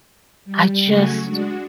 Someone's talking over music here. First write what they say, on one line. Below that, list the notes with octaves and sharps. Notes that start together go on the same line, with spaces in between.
I just,
G3
C#3 F#3 A3 F#4 G#5 C#6
G#3 D4 F#4